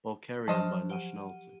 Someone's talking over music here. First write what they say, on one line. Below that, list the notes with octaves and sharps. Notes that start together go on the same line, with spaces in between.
Balkarian by nationality.
F3 F#3 C5 D#5 A5 F6
G4 F#5 D#7